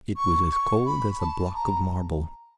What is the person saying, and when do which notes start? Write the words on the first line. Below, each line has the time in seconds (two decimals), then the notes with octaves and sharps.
It was as cold as a block of marble.
0.17 C#6
0.51 C#6
0.86 B5
1.19 A5
1.55 A#5